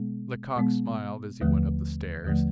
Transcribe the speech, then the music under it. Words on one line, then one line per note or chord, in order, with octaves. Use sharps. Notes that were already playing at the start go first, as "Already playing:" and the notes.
Lecoq smiled as he went up the stairs.
Already playing: B2 G#3 B3
B2 G#3 B3
D#2 D3 F3 A3
D#2 D3 F3 A3